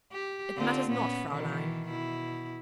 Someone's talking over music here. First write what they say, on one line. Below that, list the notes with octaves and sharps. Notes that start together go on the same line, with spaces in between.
'It matters not, Fraeulein.
G4
D3 C4 F4
A#2 B3 C#4
B2 D#3 E3
B2 E4